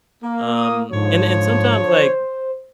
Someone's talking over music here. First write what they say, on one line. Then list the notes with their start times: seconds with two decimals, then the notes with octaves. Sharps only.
Um, and and sometimes, like,
0.23 A#3
0.52 D#6
0.92 G#2 D3 F3 C#5
1.85 C5